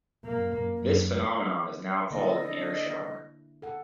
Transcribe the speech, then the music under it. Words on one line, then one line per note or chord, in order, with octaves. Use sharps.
This phenomenon is now called an air shower.
F#2 A#3
F#2
D3 A#3 D4 E4 A4 D#5
A4 F#5